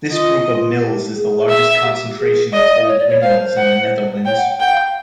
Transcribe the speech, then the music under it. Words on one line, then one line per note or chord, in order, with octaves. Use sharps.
This group of mills is the largest concentration of old windmills in the Netherlands.
F4 D#5
F4
G4
G#4
E5
G4
G4
G4
G#4
D5 D#5
C#5
D5
C#5
C5 F5
F#5
C#5 G5
F#5
G5
F#5 G5
F5